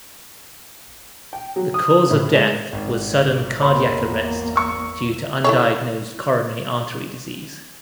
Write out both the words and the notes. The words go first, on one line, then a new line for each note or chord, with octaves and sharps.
The cause of death was sudden cardiac arrest due to undiagnosed coronary artery disease.
G5
F#3
D#6
A2
G#3
G#1
E2 A#3 C#5 B5 C6
C#6 E6
E4 A4 C#5